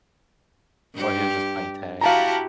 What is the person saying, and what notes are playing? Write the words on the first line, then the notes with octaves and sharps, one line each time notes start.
or he was just playing tag.
G2 G4
E4 F#4 G4 F5 A5 A#5